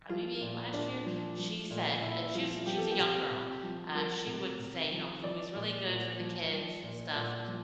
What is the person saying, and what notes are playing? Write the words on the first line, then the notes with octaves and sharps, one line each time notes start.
uh, maybe last year? She said- and she's she's a young girl- uh, she would say, you know, "Bluey's really good for the kids stuff."
F3 F4
A#2
A#2 D4
F3
F3
A#2
A#2 E4
F3 F4
F3 G4
A4
G4
C3
C3
F3
F3 A#4
C3
C3
F3
F3 D5
A#2
A#2
F3
F3
A#2
A#2
F3